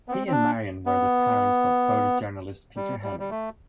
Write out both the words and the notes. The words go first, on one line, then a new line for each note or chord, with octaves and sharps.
He and Marion were the parents of photojournalist Peter Hemming.
B3
C4
C4
D4
B3
G3
G3
G3
A3